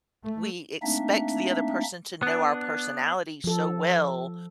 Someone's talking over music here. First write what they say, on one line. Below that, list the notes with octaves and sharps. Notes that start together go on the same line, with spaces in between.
we expect the other person to know our personality so well,
A3
A3 A#3 C4 D4 D#4 E5
B3 D4
F3 A4